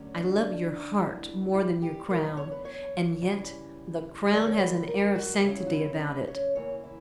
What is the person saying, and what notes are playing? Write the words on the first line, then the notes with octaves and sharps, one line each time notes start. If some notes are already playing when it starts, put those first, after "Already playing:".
I love your heart more than your crown, and yet the crown has an air of sanctity about it.
Already playing: D2 D3 F#3 C#4
D4
F#2 E3 G3 B3 D4
E4
G4
E2 B2 F#3 A#4
B4
C#5
B4
C#5
C#3 E3 G3
E2 D3 F#3 A#3 D5
C#5
B4
B4
A#4
F#4
C#3 F#3 C#4 E4
F#4
E4
C#5
B4
C#5
E2 C#3 E3 A#3 C#5
E4